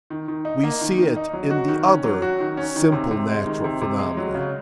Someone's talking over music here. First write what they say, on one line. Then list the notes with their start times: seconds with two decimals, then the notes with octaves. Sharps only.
We see it in the other simple natural phenomena.
0.10 D#3
0.28 D#3
0.45 D#4
0.64 A#3
0.81 D#3
0.98 D#3
1.16 D#4
1.33 F#3
1.51 F#4
1.68 D#3
1.87 C#4
2.04 F#3
2.22 F#4
2.40 D#3
2.57 C#4
2.76 D#3
2.92 C3
3.11 C3
3.29 G#3
3.46 D#3
3.64 C3
3.82 C3
3.99 G#3
4.17 F#3
4.35 C#3